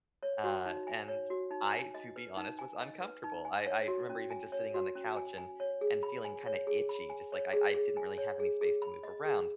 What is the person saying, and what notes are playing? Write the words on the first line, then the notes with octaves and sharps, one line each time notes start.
Uh, and I, to be honest, was uncomfortable. I I remember even just sitting on the couch and and feeling kinda itchy, just like I I didn't really have any space to move around.
C#5
F#4
D#4
G#5
C#5
F#4
D#4
G#5
D#5
B4
D#4
G#5
D#5
B4
D#4
G#5
C#5
F#4
C#4
G#5
C#5
F#4
C#4
G#5
G#5
C#5
G#4
B5
G#5
C#5
G#4
B5
G#5
C#5
G#4
G#4
G#5
C#5
G#4
G#4
B5
D#5
G#4